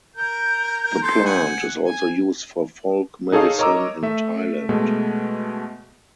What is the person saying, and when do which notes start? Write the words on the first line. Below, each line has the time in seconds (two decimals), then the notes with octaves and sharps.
The plant is also used for folk medicine in Thailand.
0.16 A#4 G6
1.03 A4 C6
1.25 F#5 G#5
1.85 G#5
3.32 D#4 G#4 A4 C#5 F5 D#6
3.59 A#4 C#5 D#5 A#5 D6 E6
4.03 A3 E5
4.69 B2 G#3 A3